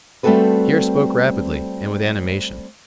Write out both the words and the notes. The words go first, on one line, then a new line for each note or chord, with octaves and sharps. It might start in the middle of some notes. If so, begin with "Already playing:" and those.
Pierre spoke rapidly and with animation.
G3 A3 C4 F#4 A4 B4